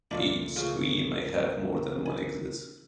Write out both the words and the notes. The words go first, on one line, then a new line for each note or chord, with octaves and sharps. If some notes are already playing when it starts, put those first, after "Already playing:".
Each screen may have more than one exit.
C#2 A#2 A3 D4 F4 D5
C#3 F4 A#4
G#5